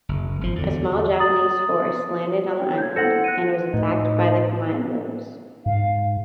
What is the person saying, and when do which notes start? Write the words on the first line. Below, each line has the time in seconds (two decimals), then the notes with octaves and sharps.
A small Japanese force landed on the island, and was attacked by the commandos.
0.09 F#1
0.41 G#1 F3
0.56 E2 D3
1.19 A#5 D#6 A6 F#7
2.55 C#5 G5
2.78 G6 G#6
2.96 E4 A4 C5 F#5 A#6 C#7
3.24 F#6 C#7 D#7
3.74 A2 D#4
5.66 G#2 F5